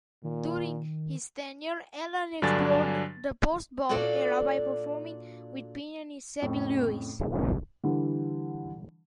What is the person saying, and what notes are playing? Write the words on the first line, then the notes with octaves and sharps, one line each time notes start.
During his tenure, Alan explored the post-bop era by performing with pianist Sabby Lewis.
A#2 D#3
G2 D3 F#3 D4 G#5 A6
A#2 D4 F#4 A4 D5 F5
F2 A2 C#3
D3 E3 G3